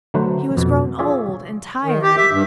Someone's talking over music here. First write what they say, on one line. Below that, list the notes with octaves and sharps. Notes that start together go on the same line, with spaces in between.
He was grown old and tired.
D3 F#3 A3 B4 C5
F2 B2
F4 G#4 C#5 D5 E5
D#3
G4
E5
G2